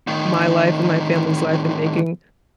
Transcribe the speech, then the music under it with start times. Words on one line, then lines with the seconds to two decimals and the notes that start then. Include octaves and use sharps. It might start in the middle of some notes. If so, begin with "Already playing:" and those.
my life and my family's life, and making
0.07 A2 D#3